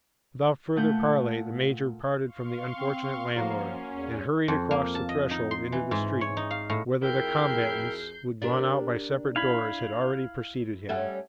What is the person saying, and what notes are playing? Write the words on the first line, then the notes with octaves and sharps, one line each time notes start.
Without further parley the major parted from the unfortunate landlord, and hurried across the threshold into the street, whither the combatants, who had gone out by separate doors, had already preceded him.
A#2 A3 F#5 G6
F5 C6 C#6
C4
F3 A#3 C#4 F#4 A#4
E2
F2
A#3
A5
D#5
D#4
C6
E3
G#2
C#5
D#4
F5
A2
F2 E4 F#4 G#4 A#4 G5 G6 C7
D4 G4 A#4
E4 F5 B5 G#6
G3 C#4 A4 E5 F#5